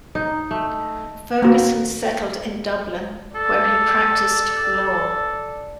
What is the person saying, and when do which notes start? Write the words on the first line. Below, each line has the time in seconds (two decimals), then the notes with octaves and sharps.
Ferguson settled in Dublin, where he practised law.
0.15 D#4
0.51 A3
1.42 A#3 F#4
3.35 A4 D5